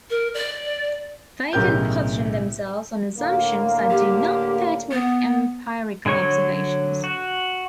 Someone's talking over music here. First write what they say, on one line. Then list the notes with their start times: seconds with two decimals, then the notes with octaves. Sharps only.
They can question themselves on assumptions that do not fit with empirical observations.
0.10 A#4
0.34 D5
1.53 B1 A2 C#3 G4 A#4 G6
3.18 A2 D3 A#3
3.90 G4
4.91 B3
6.06 D3 F#3 C#5 C#6
7.04 F#4